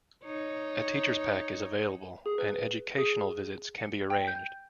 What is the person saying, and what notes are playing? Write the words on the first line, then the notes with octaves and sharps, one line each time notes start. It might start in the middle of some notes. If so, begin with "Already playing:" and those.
A teacher's pack is available and educational visits can be arranged.
D#4 C#5
G#4
B4
G#4
C#7
G5
G6